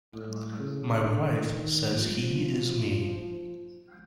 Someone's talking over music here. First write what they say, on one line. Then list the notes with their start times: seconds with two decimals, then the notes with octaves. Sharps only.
My wife says he is me.
0.14 A2
0.59 C#3
1.05 D3
1.51 D#3
1.96 F3